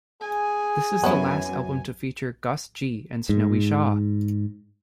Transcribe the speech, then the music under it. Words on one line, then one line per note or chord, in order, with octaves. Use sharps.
This is the last album to feature Gus G. and Snowy Shaw.
G#4 G#5
F#2 B3 C#4 E4
G#2